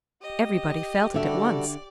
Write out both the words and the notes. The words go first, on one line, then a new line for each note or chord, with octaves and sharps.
Everybody felt it at once.
G4 D#5
D3 G3 F#4 A4 D5 E5